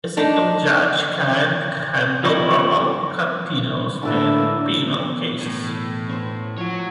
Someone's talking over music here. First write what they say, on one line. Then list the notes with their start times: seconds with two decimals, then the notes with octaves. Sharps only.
A single judge can handle normal contentious and penal cases.
0.17 D4 D#4
2.23 F3 G3 D#4 E4
4.03 A2 D3 A#3 D4 B4 E5 A5
4.87 E2 B2
5.40 A2
6.09 C#4 B4 C5
6.58 F3 F#4 C#5